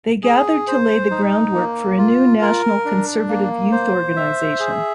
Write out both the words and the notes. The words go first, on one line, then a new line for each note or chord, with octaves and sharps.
They gathered to lay the groundwork for a new national conservative youth organization.
G#4
C5
D#4
A#3
F4
A#4
D4
A#3
C5
E5
G#4